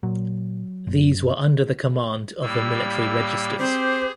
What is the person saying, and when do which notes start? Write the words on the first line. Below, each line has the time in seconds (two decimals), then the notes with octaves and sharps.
These were under the command of the military registers.
0.03 A#2 F#3
0.87 F#1
2.42 A2 G3 A#3 E6
3.59 C4 G4 G#4 C5